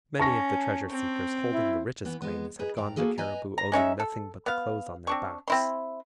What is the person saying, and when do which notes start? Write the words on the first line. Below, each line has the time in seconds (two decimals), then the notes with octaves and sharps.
Many of the treasure-seekers holding the richest claims had gone to Cariboo owning nothing but the clothes on their backs.
0.19 C#4 A5 C#6 A#6
0.90 C4
1.53 E4
2.05 E3 B3
2.22 G#3 B3
2.59 D#4 G#4 B4
2.76 G2 D5 A#5
2.96 A#3 F#4 G#4 A4
3.18 B4 D#5 G#5 A#5
3.58 A#5
3.72 G#3 C#4 D#4 E5
4.00 A4
4.46 B3 F5
5.07 C4 D4 C#6
5.48 C4 E4 C6